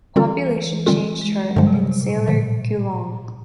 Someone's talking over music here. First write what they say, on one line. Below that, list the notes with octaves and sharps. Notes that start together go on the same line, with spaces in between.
Population change chart in Saller QuLang.
D3 E3 G3 C4 F4 A4
E3
D3 G3 G#3 C4 F4 A4
G#3
F#3
G2 D3 F3 G3 G#3
C3
C#3
C3
A#2
A2
A#2 D3 F3